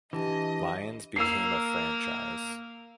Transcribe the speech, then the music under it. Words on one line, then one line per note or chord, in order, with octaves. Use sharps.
Lions became a franchise.
E3 D4 G4 D#5
A#3 E6 C7